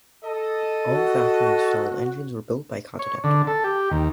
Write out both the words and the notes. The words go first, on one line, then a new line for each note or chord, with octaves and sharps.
All factory-installed engines were built by Continental.
A4 D#5
F#4
C#5
D3
A4
G4
D#2